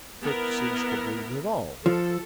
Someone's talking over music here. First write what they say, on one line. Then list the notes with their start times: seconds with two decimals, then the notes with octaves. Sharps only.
Fix ceased to breathe at all.
0.22 B3 E4 A#4
1.86 F3 A4